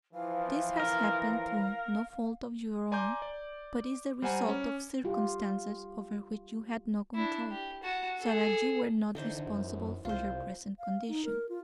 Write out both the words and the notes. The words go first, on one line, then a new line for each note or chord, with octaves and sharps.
This has happened through no fault of your own but is the result of circumstances over which you had no control so that you are not responsible for your present condition.
E3 F3 F5
A#4
D5 G#5 A#5 C6 D6 G6
D5
G3 C5 F#5 G#5 A#5
C#4
G3 F4 G4
D4 E4
G4
F#4 A5
G#4 A4
D3 E3 D#4 C5
F#2
C2 F4 C5
F5
D#4
A#4
F4